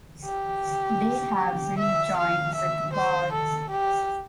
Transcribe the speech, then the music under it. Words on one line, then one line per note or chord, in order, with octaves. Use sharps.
They have rejoined with God.
G4
E5
F5
E5
C5
A4
G4